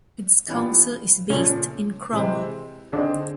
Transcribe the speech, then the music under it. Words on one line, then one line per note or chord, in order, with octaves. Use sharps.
Its council is based in Cromer.
E3 G3 B3 D4 F4
A#2 C#3 F3 A3 C#4
C3 E3 G#3 C4
D3 C4 D4 D#4 G#4